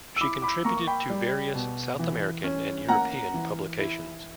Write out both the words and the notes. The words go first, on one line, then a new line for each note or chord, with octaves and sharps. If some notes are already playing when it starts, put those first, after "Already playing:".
She contributed to various South American and European publications.
E6
E4 B5 D6
B5 D6
A#3 A#5 C#6
C#6
G5 B5
G3
B2
E3
C#4
A#3 F#5 A#5
E3
E4